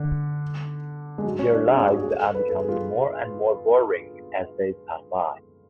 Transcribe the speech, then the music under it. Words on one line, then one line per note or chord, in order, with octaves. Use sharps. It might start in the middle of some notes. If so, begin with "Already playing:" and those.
Their lives are becoming more and more boring as days pass by.
Already playing: D3
G#3
F#3
C#4
D4
G#4
C#4
F#4
G#4
A4
A4
B4
A4
G#4
F4